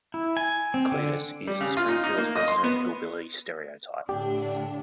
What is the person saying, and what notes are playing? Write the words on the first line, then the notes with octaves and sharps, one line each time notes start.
Cletus is Springfield's resident hillbilly stereotype.
E4
G#5
C4
D3
G3
C#3
F4
D#4
D#4
A#3
D#5
C6
B3
A2 D3 D4 G4